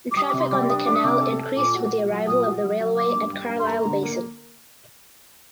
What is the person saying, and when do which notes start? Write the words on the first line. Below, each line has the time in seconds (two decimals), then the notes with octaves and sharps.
Traffic on the canal increased with the arrival of the railway at Carlisle basin.
0.11 D6
0.16 G3 D#6
0.29 D6
0.33 C3
0.39 C6
0.51 G3 D6
0.69 D4 D#6
0.86 D4 D6
0.95 D#6
1.04 C3 D6
1.21 A4
1.39 A4
1.56 A#2 D6
1.74 F#4
1.92 A#2
2.10 F#3
2.27 A#2 D#6
2.45 F#4
2.62 F#3
2.80 F#3
2.97 A#3 D6
3.15 G2
3.32 G3
3.49 G2
3.60 C6
3.67 A#3 A#5
3.85 D3
4.03 A#3